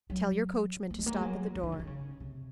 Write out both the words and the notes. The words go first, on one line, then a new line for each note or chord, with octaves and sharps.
"Tell your coachman to stop at the door."
F#3
A#3
G#3
A#3
G#3
F#3
F3
D#3
C#3
D#3
C#3
C3